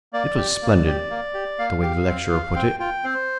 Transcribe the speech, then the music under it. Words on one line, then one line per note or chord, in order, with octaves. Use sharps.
It was splendid, the way the lecturer put it.
A#3 D5
G4
A#3
G4
A#3
G4
A#3 F5
G4
C4
F4
C4 G5
F4 G5
C4 C5